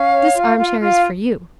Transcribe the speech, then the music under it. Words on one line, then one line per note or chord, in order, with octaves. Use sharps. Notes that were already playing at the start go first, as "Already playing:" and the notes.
This armchair is for you.
Already playing: C#4 F5
C#5
F4
F4
F4 F5